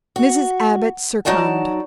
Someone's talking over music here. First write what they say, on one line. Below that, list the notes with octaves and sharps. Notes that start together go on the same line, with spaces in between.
Mrs. Abbott succumbed.
F#4
F#3 D#4 F#4 D5 A5